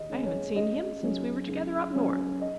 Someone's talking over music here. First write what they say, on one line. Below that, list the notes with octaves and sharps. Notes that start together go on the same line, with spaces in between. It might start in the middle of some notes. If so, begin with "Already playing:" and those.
I haven't seen him since we were together up North.
Already playing: D#2 D#5
C#3 G#3 C#4
C#5
C#2 D#5
C#3 F#3 C#4
C#2
C#3 F#3 C#4
D#5